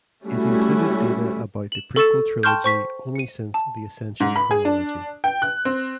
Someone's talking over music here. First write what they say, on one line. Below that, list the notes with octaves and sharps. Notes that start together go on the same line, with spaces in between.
It included data about the prequel trilogy only since "The Essential Chronology".
G3 A3 C#4 E4 F#4
E7 F#7
A4 C#6 E6 A6 E7
G5 A5 C6 C#6 F6 G6
C5 C#6 B6
C#7 D#7
A5
G#2
B5
G#4
D4
G5
F#6
C4